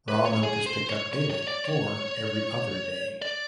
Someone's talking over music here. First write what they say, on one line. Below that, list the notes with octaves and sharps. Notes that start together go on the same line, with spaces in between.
Raw milk is picked up daily, or every other day.
B4
C#5
G#4
C5
C#5
C#5
C#5
D5
C#5
D5